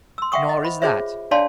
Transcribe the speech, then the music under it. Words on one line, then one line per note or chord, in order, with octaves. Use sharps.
"Nor is that."
C6 E6
E5 F#5 G5 C#6 D#6
D#5
C5 B5
F4 G#4 C5 C#5 E5
D4 C#5 D5 F5 A5 C6